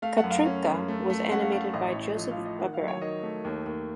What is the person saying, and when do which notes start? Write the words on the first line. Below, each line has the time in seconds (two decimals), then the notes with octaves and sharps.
Katrinka was animated by Joseph Barbera.
0.02 A3 F5
0.18 F#5
0.24 F#2
0.31 F5
0.45 C#4
0.67 F#2
0.88 A3
1.10 A3
1.30 C#4 F#5
1.42 F5
1.52 A3 F5
1.74 A1 D#5
1.88 C#5
1.95 A2
2.02 D#5
2.16 F3 D#5
2.31 F5
2.38 F3
2.45 D#5
2.59 D#3 F#5
2.74 F5
2.81 F#3
2.88 C#5
3.01 D#3 D#5
3.23 A3
3.45 D#2
3.66 D#2